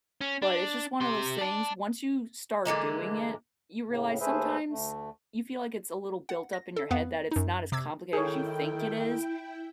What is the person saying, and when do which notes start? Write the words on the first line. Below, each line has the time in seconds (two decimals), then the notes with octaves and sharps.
but it's just one of those things. Once you start doing it, you realize sometimes you feel like it's a little built up in your head that it's not as complicated as you think it is,
0.21 C#4
0.42 D4
1.01 G4 C6
1.38 D5 A5
2.65 D3 E3 G#3 A#3
3.87 A2 C#3
4.20 D#2 A3 G#4 B4 C5 E5
4.69 D2 A3
6.29 F#5
6.53 A#6
6.76 A4
6.90 F2 B3 B4 F5 F#5
7.31 F#2 D#4
7.72 C3 D6 E6 G#6
8.13 D#3 E4 G#4 A4 C#5 G5